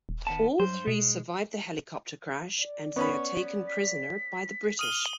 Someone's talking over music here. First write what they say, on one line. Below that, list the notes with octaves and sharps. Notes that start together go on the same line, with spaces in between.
All three survive the helicopter crash, and they are taken prisoner by the British.
D#1
D#3 B3 A5
G2 F#3 C5
B2 G#3
D5
B3 C#4 B5 C#6
B6
D#6 F6 D#7 G7